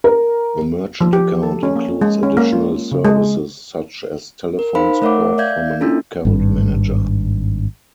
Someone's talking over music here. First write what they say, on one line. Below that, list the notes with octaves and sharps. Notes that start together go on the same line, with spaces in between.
The merchant account includes additional services such as telephone support from an account manager.
A#4
F3
G4
A4
C#4
A#3
G#3
C#4
A#3
F4
C#3
G#3
A#4
D#4 C5 F5 B5
A3 A#4 C#5 E5 F#5 D6
D5 E5 F5 G6 G#6
A#3 C#4 D4 E4 F4 A4
G#1 G2